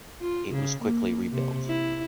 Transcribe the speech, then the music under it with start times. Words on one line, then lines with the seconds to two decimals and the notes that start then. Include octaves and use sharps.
It was quickly rebuilt.
0.21 F4
0.52 C#3
0.82 A#3
1.32 C3
1.67 E4